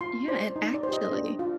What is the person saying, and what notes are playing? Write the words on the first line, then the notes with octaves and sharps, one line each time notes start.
Yeah. And, actually"
F4 C6
C5 D5
D#4
D5
C5
G4 D#5
D4
F4